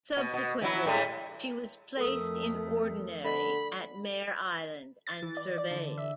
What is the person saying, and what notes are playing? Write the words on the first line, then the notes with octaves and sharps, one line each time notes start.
Subsequently, she was placed in ordinary at Mare Island and surveyed.
B2
B2
E3 F#3 E4
A2 G3 G#3
F2 A3 A4 A#4 D#6
D3 B5
A6
E3
D5
D5
D3
E5